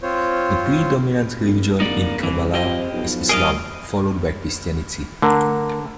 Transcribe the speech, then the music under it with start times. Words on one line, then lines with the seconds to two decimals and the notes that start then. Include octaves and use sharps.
The predominant religion in Kabala is Islam, followed by Christianity.
0.02 C4 F4 C5 C#5
1.43 F#1
1.80 D1 A#3 D#4 D5
2.23 C2 E3
2.54 F3 C4 G4 D#5
2.93 B1 F3
3.29 G3 G#4 A#4 D#5 F5
5.22 D3 A3 A#4 A#5